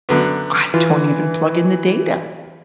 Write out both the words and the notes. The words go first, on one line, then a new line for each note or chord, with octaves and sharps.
I don't even plug in the data.
F#2 D3 B3
E3 F4